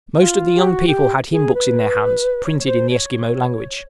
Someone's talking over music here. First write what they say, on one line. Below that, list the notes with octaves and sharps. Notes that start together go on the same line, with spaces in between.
Most of the young people had hymn-books in their hands, printed in the Esquimaux language.
F4
G4
F#4
G4
G#4
B4
C#5
C#5
C5
C#5